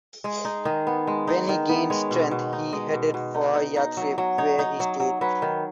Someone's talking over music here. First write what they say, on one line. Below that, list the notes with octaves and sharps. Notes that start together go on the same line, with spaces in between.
When he gained strength, he headed for Yathrib, where he stayed.
G#3 G#4
D#4
D#3 G#4
B3
G#3
D#4
D#3
B3
G#3 C#5
B2
B2
D#4
G#3 D#5
B2
B2
D#4
D#4
D#4
F#3
F#3
D#4 C#5
D#4
F#3
F#3
F#3 B4
D#3